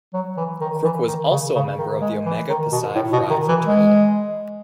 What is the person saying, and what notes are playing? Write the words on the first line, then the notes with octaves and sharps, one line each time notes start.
Crook was also a member of Omega Psi Phi fraternity.
F#3
E3
D#3
E3
D#3
C#3
C#3
D#3
G#3
E3
D#3
B2
A2
B2
D#3
E3
G#3